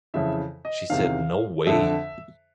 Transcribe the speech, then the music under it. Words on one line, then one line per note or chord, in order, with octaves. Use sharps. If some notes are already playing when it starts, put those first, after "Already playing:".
She said No way!
F2 C#3 E3 E5
D#5
E2 C3 D#3 F5
F2 D3 E5